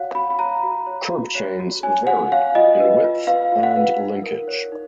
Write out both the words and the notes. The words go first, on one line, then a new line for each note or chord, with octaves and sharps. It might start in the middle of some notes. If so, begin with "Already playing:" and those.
Curb chains vary in width and linkage.
Already playing: F#4 C#5 F5 F#5
F#4 B5
B5
C#5 A#5
F#4
C#5
F#4
C#5
F#4
C#5 G#5
F#4 F#5
C#5 F5
F4 D#5
B4
F4
B4 F5
F4
F#5
B4
D#4
A#4
C#5
D#4